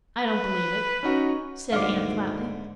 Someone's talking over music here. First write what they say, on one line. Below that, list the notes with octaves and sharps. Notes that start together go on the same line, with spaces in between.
"I don't believe it," said Anne flatly.
B4
C#4 D#4 F#4
G#1 D#2 G#2 D3 A3 D4 F5 D6